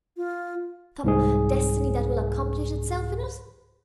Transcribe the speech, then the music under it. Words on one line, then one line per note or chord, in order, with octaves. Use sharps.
Some Destiny that will accomplish itself in us.
F4
C2 G#2 G#4